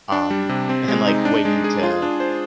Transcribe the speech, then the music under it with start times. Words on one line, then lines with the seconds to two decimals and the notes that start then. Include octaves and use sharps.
um, and like, waiting to
0.12 D4
0.30 G3
0.49 C3
0.69 C4
0.88 G#3
1.07 D#4
1.25 D4
1.45 G#3
1.64 G#4
1.83 F4
2.02 D4
2.20 C5